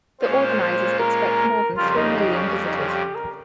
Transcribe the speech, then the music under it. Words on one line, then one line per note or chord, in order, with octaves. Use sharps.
The organizers expect more than three million visitors.
A#2 G#3 C#4 F4 C5
C#5
C5
C5
A#4
F2 C#3 G3 F4
F4
D#4
D#4
C#4
D#4
C#4
F4
G4
A#4